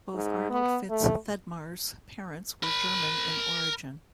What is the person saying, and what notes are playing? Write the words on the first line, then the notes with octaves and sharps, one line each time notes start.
Both Arnold Fitz Thedmar's parents were German in origin.
G#2
B3
A3
A#4 B5